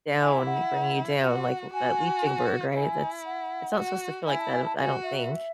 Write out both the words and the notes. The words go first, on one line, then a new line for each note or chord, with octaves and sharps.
down, bringing you down, like, l that leaching bird, right? That's it's not supposed to feel like that, I don't think.
E4 G#5
E5
F#5
F#4 F#5
F#4 G#5
E4 G#5
F#5
F#4
E4 G#5
A5
G#5
A5
F#4 G#5
E5